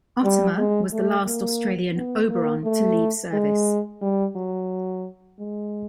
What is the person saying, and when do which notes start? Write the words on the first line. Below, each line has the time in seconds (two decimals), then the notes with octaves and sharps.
"Otama" was the last Australian "Oberon" to leave service.
0.24 G3
0.58 G#3
0.92 A3
1.27 A#3
1.96 B3
2.30 A#3
2.64 A3
3.33 G#3
4.01 G3
4.36 F#3
5.39 G#3